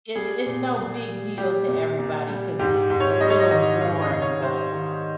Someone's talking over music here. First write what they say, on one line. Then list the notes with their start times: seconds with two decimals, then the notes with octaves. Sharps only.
It's it's no big deal to everybody 'cause it's a little worn, but,
0.15 G3 G#4
0.46 A#2
0.77 A#2
1.07 G3
1.38 G3 G4
1.68 A#2
1.99 A#2
2.29 G3
2.59 G#2 G4
2.90 G#2
3.00 C#5
3.20 G3 D#5
3.30 C#5
3.40 D#5
3.51 D#3 D#5
3.81 G#2 F5
4.02 D#5
4.12 G#2
4.22 C#5
4.42 G3 C5
4.73 D#3